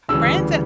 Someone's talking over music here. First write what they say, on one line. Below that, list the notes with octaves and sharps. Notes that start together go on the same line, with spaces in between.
Friends and
D2 C#3 E3 G3 E6